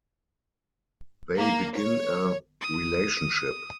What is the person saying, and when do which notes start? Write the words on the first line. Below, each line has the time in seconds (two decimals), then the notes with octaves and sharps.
They begin a relationship.
1.37 A#3
1.77 C#5
2.61 D#6